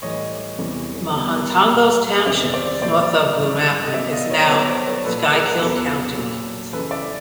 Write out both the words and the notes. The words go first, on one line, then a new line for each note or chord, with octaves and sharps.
Mahantongo Township, north of Blue Mountain, is now Schuylkill County.
A2 E3 G3 C#5 D#5
E2 C3 E3 G3
B2 G3
A#2 G3
E2 C3 D#3 G3 D5 E5
C5 D5
A#2 G3 C5 D5
G#2 E3 G3
D#5
B2 F#3 D5 E5
D#5 F5
C#5 D#5
B2 F#3 B4 C#5
C5 D5
B4 C#5
A#2 F3 A4 B4
G#4 A#4
E2 B2 F#3 A4 B4
A#2 F#3
F#2 C#3 E3 A4 B4
D5 E5